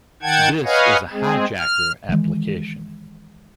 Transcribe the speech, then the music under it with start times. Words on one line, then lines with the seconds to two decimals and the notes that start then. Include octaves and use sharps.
This is a hijacker application.
0.22 D#3 F#5 G5 A5 G#6
0.65 B4 C#5 D#5 F5 F#5 G#5
1.12 G#3 C4 G#4
1.58 F6
2.09 D#3 E3 G#3